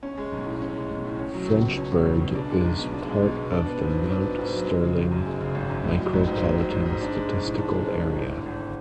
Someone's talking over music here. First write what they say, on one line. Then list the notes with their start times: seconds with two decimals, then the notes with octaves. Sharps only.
Frenchburg is part of the Mount Sterling Micropolitan Statistical Area.
0.03 C#4
0.18 G#3
0.32 B1
0.46 A2
0.61 C#4
0.76 G#3
0.90 B1
1.04 A2
1.19 C#4
1.34 F#3
1.48 C#2
1.63 B2
1.77 C#4
1.92 F#3
2.06 C#2
2.21 B2
2.35 D4
2.50 G#3
2.64 B1
2.79 B2
2.94 D4
3.08 G#3
3.23 B1
3.37 B2
3.52 D4
3.66 B3
3.81 G#2
3.95 F#3
4.10 D4
4.24 B3
4.39 G#2
4.54 F#3
4.68 G#3
4.82 C#3
4.97 G#1
5.11 F#2
5.26 G#3
5.41 C#3
5.55 G#1
5.70 F#2
5.84 A1
5.99 F#3
6.13 A1
6.27 G#2
6.43 A1
6.57 F#3
6.72 A1
6.86 G#2
7.01 D4
7.15 G#3
7.30 B1
7.44 A2
7.58 D4
7.74 G#3
7.87 B1
8.03 A2
8.16 G#1
8.32 D3
8.46 G#1